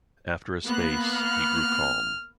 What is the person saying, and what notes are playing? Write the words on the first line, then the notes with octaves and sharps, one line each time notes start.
After a space he grew calm.
A#3 B3 F#6
F6